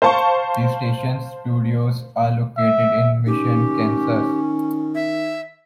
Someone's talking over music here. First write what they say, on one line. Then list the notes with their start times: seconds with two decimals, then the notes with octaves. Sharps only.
The station's studios are located in Mission, Kansas.
0.02 C5 F5 A5 C#6
2.57 E5
3.27 D#3 C#4 G4
4.95 E5